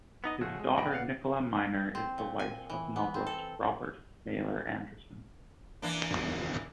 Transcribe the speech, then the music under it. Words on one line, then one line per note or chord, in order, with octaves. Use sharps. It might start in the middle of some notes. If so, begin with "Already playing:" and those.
His daughter Nicola Miner is the wife of novelist Robert Mailer Anderson.
B3 D#4 D#5
C#3 F3 A3 F#4 G#4
G#3
C2 A2 D#5 G5 B5
B4 D5 D#5 F5 F#5
C4
A#2
G#5
E3
B3
C4
A4
E3 A#3 D4